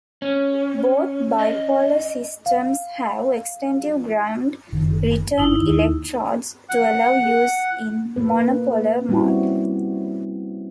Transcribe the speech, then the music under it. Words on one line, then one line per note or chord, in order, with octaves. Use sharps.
Both bipolar systems have extensive ground return electrodes to allow use in monopolar mode.
C#4
D#5
F5
F#1 D#3
G1 D#4 E4
D#2
F#5
A#3 B4
G3 C4 C#4 E4 F#4 G4